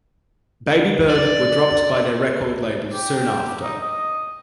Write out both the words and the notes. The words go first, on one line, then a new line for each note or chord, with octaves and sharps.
Babybird were dropped by their record label soon after.
D5
G4
D#4
D#5